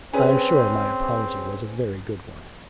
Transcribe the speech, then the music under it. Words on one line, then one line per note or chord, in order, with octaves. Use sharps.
I am sure my apology was a very good one.
C4 C#4 G#4 B4